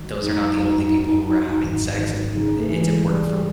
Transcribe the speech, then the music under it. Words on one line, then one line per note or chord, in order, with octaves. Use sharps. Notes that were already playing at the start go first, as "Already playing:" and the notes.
those are not the only people who are having sex, and i it's important for
Already playing: D#3 F#3
F#2 D#4
F#2
F#2
F#3
G#1
D#3
C#3 D#4
A3
E3
G#3
C#3 G3